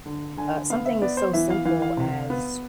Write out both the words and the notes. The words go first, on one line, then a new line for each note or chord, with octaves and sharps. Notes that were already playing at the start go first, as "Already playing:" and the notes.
Uh, something so simple as
D3
D3 G#5
B3 F5
E5
B3 D5
C5
E3 E5
F5
E3 F5
F5
C3
B3